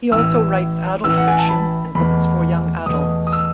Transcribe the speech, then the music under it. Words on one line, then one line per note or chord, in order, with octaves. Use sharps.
He also writes adult fiction and books for young adults.
A1 A2 E3 E6
A1 A2 E3 E6
F#5
G#5
A5
B5
E2 B2 A3 B5
E2 B2 A3 D#6
D#6
E6